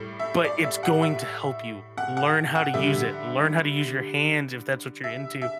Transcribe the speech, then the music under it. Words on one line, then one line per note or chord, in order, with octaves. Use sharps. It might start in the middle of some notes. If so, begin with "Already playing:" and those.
but it's going to help you. Learn how to use it, learn how to use your hands if that's what you're into.
Already playing: A2 G3
E5
D5
E5
F#5
E5
F#5
F#5
F#5
D3 G3 E5
E5
E5